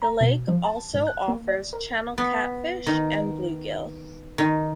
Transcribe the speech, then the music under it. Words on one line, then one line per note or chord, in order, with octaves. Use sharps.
The lake also offers channel catfish and bluegill.
A#5
B2
F3
A5
G#2
F#6
A#3
D5
A#4
B3
D#3
D#3